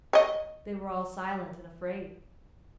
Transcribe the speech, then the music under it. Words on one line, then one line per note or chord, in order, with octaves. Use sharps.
They were all silent and afraid.
C#5 D#5